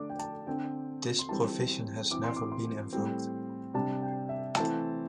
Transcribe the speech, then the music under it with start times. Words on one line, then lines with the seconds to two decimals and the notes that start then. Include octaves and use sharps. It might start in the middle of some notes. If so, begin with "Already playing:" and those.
This provision has never been invoked.
Already playing: D3 A3 D4 D6
0.10 G5
0.19 A5
0.47 D3 C4 G5
1.19 C6
1.29 E3 G3 C4 A5
2.10 E3 C4 D6
2.24 C6
2.36 D6
2.52 C6
2.93 A2 G3 C4
3.74 C3 G3 D4 A5
4.02 G5
4.29 E5
4.57 E3 A3 C4 A5